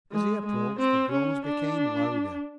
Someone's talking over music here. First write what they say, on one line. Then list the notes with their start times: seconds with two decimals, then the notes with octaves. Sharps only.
As he approached, the groans became louder.
0.12 G#3
0.46 G#3
0.79 C4
1.11 C#4
1.45 D4